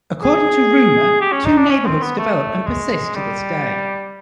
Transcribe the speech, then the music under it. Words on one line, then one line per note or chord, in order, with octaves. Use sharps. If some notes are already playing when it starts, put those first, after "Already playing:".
According to rumor, two neighbourhoods developed and persist to this day.
G#4
G4
C#4
D#4
D4
C#4
C4
B3
A3
G#3
G3